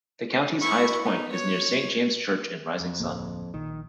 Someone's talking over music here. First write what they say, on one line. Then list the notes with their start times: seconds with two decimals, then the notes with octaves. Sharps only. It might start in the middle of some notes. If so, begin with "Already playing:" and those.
The county's highest point is near Saint James Church in Rising Sun.
0.61 E4 C#6
1.02 B3 D#4
1.33 C#5
2.80 F2
3.00 D1 A#3
3.54 A#1 D#3